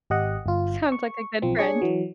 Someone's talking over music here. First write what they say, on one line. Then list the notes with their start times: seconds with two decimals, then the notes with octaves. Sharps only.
Sounds like a good friend.
0.10 G#1 G4 D#5 F#5
0.46 G1 F4
0.92 C#6
1.42 B1 F3 C4
1.59 D4 G#4 C#5 C#6
1.82 E3 F#3